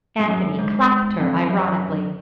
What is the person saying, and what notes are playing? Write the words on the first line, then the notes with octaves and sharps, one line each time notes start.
Anthony clapped her ironically.
G#2
F#2
G#2
F2
F#2